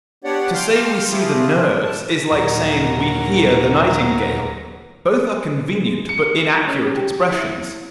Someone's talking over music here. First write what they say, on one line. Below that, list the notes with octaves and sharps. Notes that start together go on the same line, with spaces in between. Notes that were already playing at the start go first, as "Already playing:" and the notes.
To say we see the nerves is like saying we hear the nightingale; both are convenient but inaccurate expressions.
B3 D4 G4 C#5 D5 F#5
F5 G5 C6 D6 F6
F3 C4 E4 F4 G4 G#4
A5
D#2 A#2 F#3 A#5
G#3
C#7
C#4
G4
E4